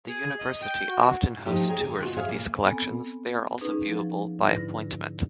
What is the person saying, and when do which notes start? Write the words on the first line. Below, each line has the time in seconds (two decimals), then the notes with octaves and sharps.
The university often hosts tours of these collections; they are also viewable by appointment.
0.09 G#4
0.39 D#5
0.62 G5
0.88 F#4
1.46 F3 A3 D#4 G4
1.68 G#4 C#5 G5 G#5 A#5
1.83 D3
2.01 G#3 B3 F4 F#4
2.16 G#4 C#5 E5 F5
2.28 A#2 A#3
2.65 B3 C4 A4 G#5
3.61 C#4 D#4 G#4 B4
3.86 F3 F#3
4.44 G#2 D3 D4 E4 B4 A#6